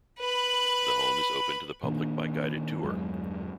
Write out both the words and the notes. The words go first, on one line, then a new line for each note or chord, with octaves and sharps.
The home is open to the public by guided tour.
B4 B5
A#2 D#3 A#3 D4
G1 E2 F#3 G#3